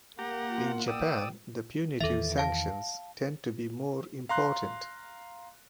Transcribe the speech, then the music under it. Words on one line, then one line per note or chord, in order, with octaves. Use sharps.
In Japan the punitive sanctions tend to be more important.
A#3 G4 F#5 A#5
F4
D5 G5 D#6 E6
E2 D#3 E3 A4 E5
F5 A5
F5 A#5 C6 F#6